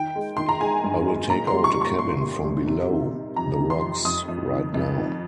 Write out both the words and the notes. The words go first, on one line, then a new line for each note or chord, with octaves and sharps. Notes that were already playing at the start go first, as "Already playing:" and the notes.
I will take out a cabin from below the rocks right now.
Already playing: D#3 G5
G#3
D#3 C6
A#5
G#3 G#5
G2
G#3
A#2 A#5
C6
G3
C#6
G3
C#6
A#2 C6
A#2
G3
C3
D#3
C3
F2 A#5
D#3
C6
F2
F2 D#6
F2
D#3
F2
D#3